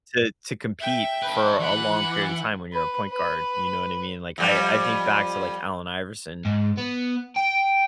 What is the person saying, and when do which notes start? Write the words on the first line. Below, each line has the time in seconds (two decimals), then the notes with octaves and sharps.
to to compete for a long period of time when you're a point guard, you know what I mean? Like, I I think back to, like, Allen Iverson,
0.80 E5 G5
1.22 A4 B4
1.60 E3 F#5
2.73 B4
3.10 B4
4.38 F2 G3
6.45 G#2
6.77 B3
7.36 G5